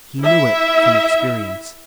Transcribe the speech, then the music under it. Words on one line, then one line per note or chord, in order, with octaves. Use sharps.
He knew it from experience.
E4 E5